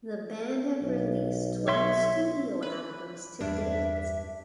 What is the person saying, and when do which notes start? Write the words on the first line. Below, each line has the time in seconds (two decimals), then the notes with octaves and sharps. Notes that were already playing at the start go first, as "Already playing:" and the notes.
The band have released twelve studio albums to date.
0.82 B1
1.68 C#5 E5 C6
2.62 B4
3.41 E2 G2 D4 E5